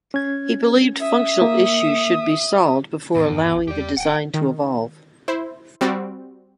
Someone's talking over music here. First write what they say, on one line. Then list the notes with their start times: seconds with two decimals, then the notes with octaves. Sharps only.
He believed functional issues should be solved before allowing the design to evolve.
0.14 C#4 G#6
1.00 E5 D#6
1.42 A#3
3.15 E2 A2
3.31 G2
3.55 A1
3.68 E2 G4 D5
3.97 D1 F#5 G5
4.34 D#3
5.28 E4 C5
5.81 G3 C4 F#4 D5